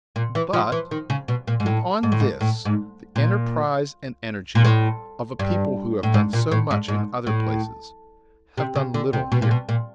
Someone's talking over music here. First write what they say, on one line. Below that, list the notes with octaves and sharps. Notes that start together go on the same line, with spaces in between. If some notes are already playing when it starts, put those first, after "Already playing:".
But, beyond this, the enterprise and energy of a people who have done so much in other places have done little here.
A#2
E3
F3
E3
D#3
C#3
B2
A#2
G#2
A2
G#2
A2
G#2
A2
G#2
A#2
A#2
A2
G2
A2
G#2
A#2
A2
G#2
G#2
A2
C3
C#3
D3
C3
B2
A#2
B2
A#2